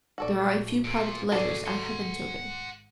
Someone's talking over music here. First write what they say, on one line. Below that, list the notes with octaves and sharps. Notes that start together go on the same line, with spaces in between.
There are a few private letters I haven't opened.
A#1 A3 F#4 A4 D5
A#2
G#1 B2 F#4 G#4 A4 D5
F#5 C6